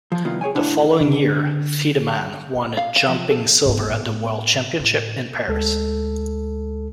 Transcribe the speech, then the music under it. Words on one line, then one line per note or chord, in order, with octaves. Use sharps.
The following year, Thiedemann won a jumping silver at the World Championships in Paris.
F3
C2 D#3 B3 F4
G#4 C#5 G5 G#5
D2 A2 D4 E4 F#5
D3
F5
F5
F3
A4
G#2 B3
A2 B3
A2
D2 G#3 A4